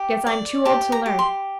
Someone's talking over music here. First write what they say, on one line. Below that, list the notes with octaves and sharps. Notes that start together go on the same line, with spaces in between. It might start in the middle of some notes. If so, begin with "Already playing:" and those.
Guess I'm too old to learn.
Already playing: G4
D5
G4 A5
A#5
G4
C6